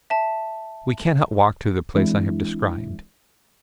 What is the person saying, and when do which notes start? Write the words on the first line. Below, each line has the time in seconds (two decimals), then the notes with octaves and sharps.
We cannot walk to the place I have described.
0.10 E5 A5
1.94 E3 G#3 C4 D4 E4